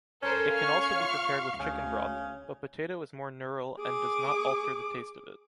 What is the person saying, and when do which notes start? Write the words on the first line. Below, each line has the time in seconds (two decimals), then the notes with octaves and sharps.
It can also be prepared with chicken broth, but potato is more neural and does not alter the taste of it.
0.22 C#4 A4 A#4 C5
0.52 F5 C#6 F6
1.00 F4
1.59 D2 C#3
3.80 G#4 D6